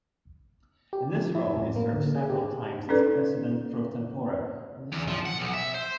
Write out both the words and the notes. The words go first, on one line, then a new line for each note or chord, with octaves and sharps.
In this role he served several times as President pro tempore of the Senate.
G4
F3
E4
A2
A#3
D3
G#4
G4
C#4 D#4 A4 B4 D5
E2
F3
F#5
B1
E5
C5